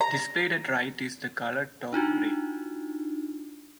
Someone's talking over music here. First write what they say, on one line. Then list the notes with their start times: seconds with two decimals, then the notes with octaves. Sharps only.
Displayed at right is the color taupe gray.
0.01 A#5
1.93 D4 D#4 F4 F#4